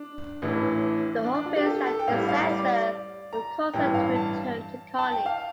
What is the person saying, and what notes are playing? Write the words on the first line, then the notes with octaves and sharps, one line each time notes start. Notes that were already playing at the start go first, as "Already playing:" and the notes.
The hope is that the disaster will cause her to return to Connie.
Already playing: D4
A1 A2 E3 A3
D4
D4
F4
G4
A4
A4
G5
A1 A2 G3 F5
F5
D5
A#5
A1 G2 E3 G5
F5
A5
A5
G5
F5